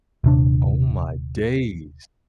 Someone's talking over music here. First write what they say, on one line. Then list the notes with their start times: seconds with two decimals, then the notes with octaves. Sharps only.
Oh my days.
0.24 D#1 C3 D4